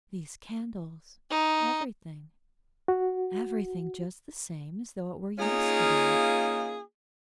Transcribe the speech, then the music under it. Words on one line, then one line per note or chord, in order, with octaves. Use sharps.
"These candles--everything--everything just the same as though it were yesterday!"
D#4
F#4
A#3 C#4 D#4 F4 G#4